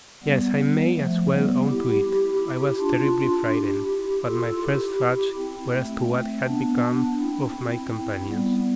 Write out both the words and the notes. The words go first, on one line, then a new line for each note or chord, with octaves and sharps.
Yes, I may as well own to it: I was terribly frightened, but my first thoughts were as to what had become of my companions.
G3 B3
F3 A3
G3 B3
E4 G4
E4 G4
D4 F4
E4 G4
F4 A4
E4 G4
C4 E4
A3 C4
B3 D4
C4 E4
C4 E4
G3 B3